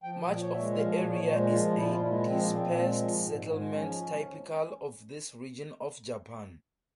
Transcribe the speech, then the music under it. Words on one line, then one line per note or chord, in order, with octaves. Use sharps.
Much of the area is a dispersed settlement typical of this region of Japan.
F3 G5
A#2
A#2 C#5
E5
G#3
F3 F5
A#2 C#5
A#2 C#5
G#3 C5
F3 F4
A#2
E4
A#2 F4
E4
G#3
F3 C4
A#2 A#3
C4
A#2
G#3
F3
G#2
G#2
G#3
F3 C#4